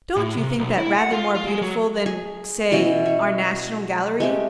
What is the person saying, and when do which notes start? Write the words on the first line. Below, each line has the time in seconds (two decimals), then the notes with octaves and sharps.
"Don't you think that rather more beautiful than--say--our National Gallery?"
0.16 A2
0.37 C3
0.59 B1
0.78 E4
0.98 F#5
1.12 F4
1.35 F4
1.47 G#3
1.62 F#3
2.06 G#4
2.72 B2 E3 C#4 D#5
3.06 F#4
4.20 G#3 A3 G4